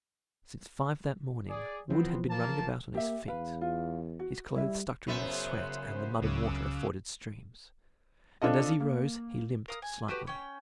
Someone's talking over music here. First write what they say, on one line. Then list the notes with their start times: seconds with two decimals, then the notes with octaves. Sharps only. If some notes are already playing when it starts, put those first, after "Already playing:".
Since five that morning Wood had been running about on his feet, his clothes stuck to him with sweat and the mud and water of forded streams, and as he rose he limped slightly.
1.49 G#4 D5
1.90 E3 F3 B3 C4
2.30 A#3 A5
2.94 A#3 G4 E5
3.28 E2 B4 F5
3.61 F4
4.19 F#4
4.55 G3 E4 E5
5.07 F#2 C#3 B3 C5 E5
6.22 C#2 C#3 F#3 D6 E6 F#6
8.42 C4 D4 F4 A4 D#5
8.80 A#3
9.68 A#4 F5 D#6
9.82 G#5
10.08 A3 F#4 G4 B4
10.27 C#4 G5